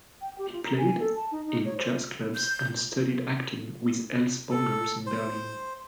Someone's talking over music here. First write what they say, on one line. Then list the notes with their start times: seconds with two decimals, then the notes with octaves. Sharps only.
He played in jazz clubs and studied acting with Else Bongers in Berlin.
0.21 G5
0.38 G4
0.52 F4
0.64 A#5
0.78 G#5
1.00 A4
1.16 A5
1.32 D#4
1.47 D#4
1.65 C#5
1.77 C5
2.35 G6
4.51 A4
5.06 C5